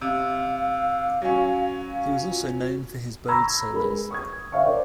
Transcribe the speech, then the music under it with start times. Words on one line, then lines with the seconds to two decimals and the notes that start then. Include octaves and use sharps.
He was also known for his bowed solos.
0.01 C3 F5
1.22 F#3 C#4
1.90 F5
2.22 F4
2.55 F#4
3.29 A#5 B5 C#6 E6 G#6 A#6
3.73 G#3 A#4 B4 B5
4.11 C#6 D#6 G#6
4.52 C#5 E5 F5 G5 C#6
4.66 A#4 C5 D5